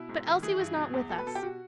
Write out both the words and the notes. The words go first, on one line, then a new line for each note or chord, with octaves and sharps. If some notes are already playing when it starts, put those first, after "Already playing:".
But Elsie was not with us.
Already playing: B2 E4
G#2
D#3
E3 G#4
G2
B2
E2
B2 A4
B4
B2 A4
G4
B2 F#4